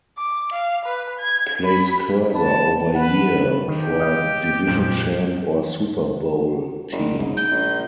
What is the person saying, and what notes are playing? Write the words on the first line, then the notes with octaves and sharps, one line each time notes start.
Place cursor over year for division champ or Super Bowl team.
D6
F5
B4
G#6
B5
B4 A5
B4 F#5
D#3 G4
D#5 F5
F2 A#2 F3
F#1
G#2
G6
A#1